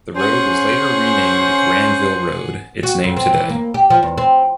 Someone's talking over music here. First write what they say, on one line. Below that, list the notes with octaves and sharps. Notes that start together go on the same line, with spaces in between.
The road was later renamed Granville Road, its name today.
C#4 G#4 C5 F#5
F#4
F2
C4
E3
A#3
G4
F3
E2
C4